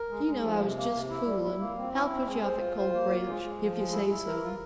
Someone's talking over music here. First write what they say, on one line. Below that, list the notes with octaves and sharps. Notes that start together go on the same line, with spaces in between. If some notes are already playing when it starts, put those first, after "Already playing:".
"You know I was just fooling. I'll put you off at Cold Branch, if you say so."
Already playing: A#4
G#3
G#3
F3
C3
A#3
C3
E4
G3
E4
A#3
C4
E4
C4
G#3
C5
F4
C5
A#3
F4
G#3
G#3
F3
G#3
E4
E4
A#4
F4